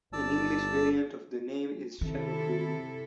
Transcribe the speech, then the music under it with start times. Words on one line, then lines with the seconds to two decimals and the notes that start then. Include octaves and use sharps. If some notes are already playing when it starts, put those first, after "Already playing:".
An English variant of the name is Shallop River.
0.13 G1 D5 A5 E6
2.01 C3 D#3 E4 A4